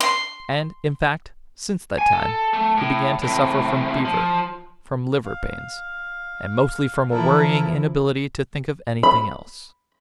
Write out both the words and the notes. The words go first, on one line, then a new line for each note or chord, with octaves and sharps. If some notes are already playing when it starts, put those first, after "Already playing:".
And, in fact, since that time he began to suffer from fever, from liver pains, and mostly from a worrying inability to think of anything else.
C6
G#5
A4
A3
A2
A2 C3
F3
F5
E3 F3 E4 A4 A#4
B5